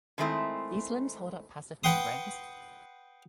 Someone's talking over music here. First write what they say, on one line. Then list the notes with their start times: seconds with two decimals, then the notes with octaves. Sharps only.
These limbs hold up passive membranes.
0.18 D3 D#3 G#3 A3 C4 E4
1.84 B4 F#5 G5 C6 D#6